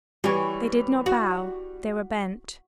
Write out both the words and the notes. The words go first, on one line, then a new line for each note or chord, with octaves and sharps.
They did not bow, they were bent.
E3 G3 C#5
F#4